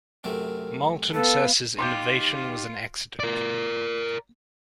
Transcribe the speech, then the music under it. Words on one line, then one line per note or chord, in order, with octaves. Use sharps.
Moulton says his innovation was an accident.
F#2 C3 A3 A#4
B3 A4 B4 F5
D#4 F4 G4 C6 D6 G6
A#4 D5